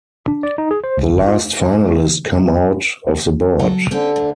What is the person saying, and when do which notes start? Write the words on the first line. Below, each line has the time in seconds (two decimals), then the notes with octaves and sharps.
The last finalist come out of the board.
0.28 D4
0.43 D5
0.58 D#4
0.71 G#4
0.84 C5
0.97 C#2
1.11 G1
1.27 F4
3.59 F#3 A4
3.91 D3 C4 C#4 G4
4.16 D2